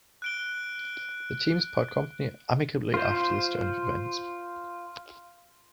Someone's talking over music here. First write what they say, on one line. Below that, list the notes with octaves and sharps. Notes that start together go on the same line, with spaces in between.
The teams part company amicably after this turn of events.
F#6 D7 G7
F4 C5